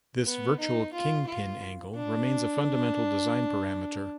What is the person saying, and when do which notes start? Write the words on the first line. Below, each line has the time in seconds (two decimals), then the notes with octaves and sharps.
This virtual king pin angle remains a fundamental design parameter.
0.25 B3
0.59 D#4
0.93 F4
1.27 F4
1.95 D4